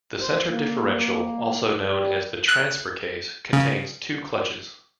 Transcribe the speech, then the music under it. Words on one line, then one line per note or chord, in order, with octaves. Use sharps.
The centre differential, also known as the transfer case, contains two clutches.
C5
A#3
G3
F#6
C#3